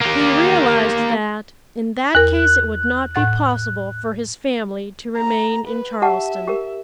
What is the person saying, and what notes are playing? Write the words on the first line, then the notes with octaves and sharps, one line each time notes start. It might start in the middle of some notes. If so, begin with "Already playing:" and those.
He realized that in that case it would not be possible for his family to remain in Charleston.
A#3 G4
E2 A#4 F#6
A2 F#5 A6
A#5
B4
G4 E5 F#5 A5
G4 A#4